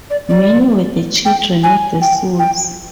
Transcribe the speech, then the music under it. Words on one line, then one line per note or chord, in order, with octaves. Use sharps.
Many were the children of The Souls.
D5
D5
G5
G#5
G5
G5